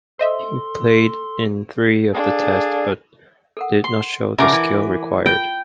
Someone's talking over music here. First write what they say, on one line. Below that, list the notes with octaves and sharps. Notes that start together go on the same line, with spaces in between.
He played in three of the Tests but did not show the skill required.
A4 C5 D#5 E5 C6
D4 G#4 A4 F5
A4 A#4 F#5
C6
C#3 F3 A#4 E5 F#5 D6
E3
F4 G5